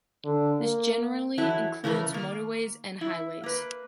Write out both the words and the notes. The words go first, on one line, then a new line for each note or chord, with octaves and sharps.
This generally includes motorways and highways.
D3
A#3
E3 F#3 E4 A4
C#3 E3 A3 G#4 A#4
D#3 A#3
E4
A#3 B4